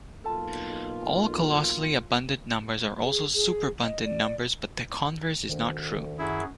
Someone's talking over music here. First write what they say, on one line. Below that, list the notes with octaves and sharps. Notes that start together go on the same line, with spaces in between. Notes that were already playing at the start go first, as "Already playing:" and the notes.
All colossally abundant numbers are also superabundant numbers, but the converse is not true.
B1 A#3 F4 A4 A5
G#4
G#4
D#5
D5
D2 D#3
F#2 E4 G#4